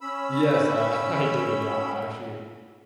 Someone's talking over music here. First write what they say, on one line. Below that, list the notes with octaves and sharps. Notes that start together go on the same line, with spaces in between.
Yes, I I do, yeah, I actually
C#4 B5 E6